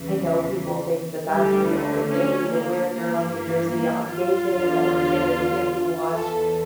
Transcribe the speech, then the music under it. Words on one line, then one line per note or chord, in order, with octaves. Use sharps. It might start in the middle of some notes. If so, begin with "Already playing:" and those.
I know people think that that's real. Like, they need to wear their lucky jersey on game day every day. It can't be washed.
Already playing: E2 C#3 E3
D2 D3 G3
A3
C#4
A#3
G2 E3 A#3
A#3
F4
E2 D3
E2 E3 A4